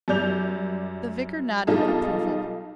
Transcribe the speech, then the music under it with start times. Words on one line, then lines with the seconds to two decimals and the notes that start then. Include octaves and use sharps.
The vicar nodded approval.
0.08 F#2 G3 D5 G6 F7
1.67 B1 G3 D#4 F4 G#4 A4